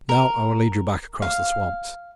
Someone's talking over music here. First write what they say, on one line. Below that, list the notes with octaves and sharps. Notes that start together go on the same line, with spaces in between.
Now I will lead you back across the swamps.
A#4
F5